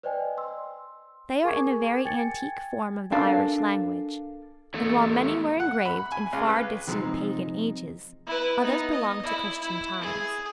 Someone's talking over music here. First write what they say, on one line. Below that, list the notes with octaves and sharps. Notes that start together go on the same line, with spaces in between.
They are in a very antique form of the Irish language; and while many were engraved in far distant pagan ages, others belong to Christian times.
B4 C5 D5 D#5 G5 G#5
C6 E6
G#4 A#4 G#5 C#6 D6 G#6
G5 G#5 G#6 A6 C#7
D4 A4 A#4 F5 G#5 A5
E2 A3
F#5
B5
G#5
C#2
B4
C3 F3 G#3 B3 C4 D#4
E4 B4
B3 D#4
D#5
E4
E4
G#4